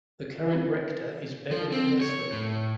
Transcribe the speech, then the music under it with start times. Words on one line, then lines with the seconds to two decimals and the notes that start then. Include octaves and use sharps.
The current Rector is Beverly Leslie.
1.51 F3
1.72 C4
2.01 C#5
2.32 A2